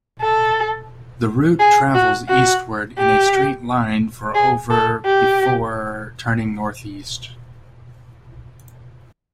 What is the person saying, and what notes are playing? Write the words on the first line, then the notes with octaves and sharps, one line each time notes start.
The route travels eastward in a straight line for over before turning northeast.
A4
G#4
F#4
F#4
G4
G#4
A4
G4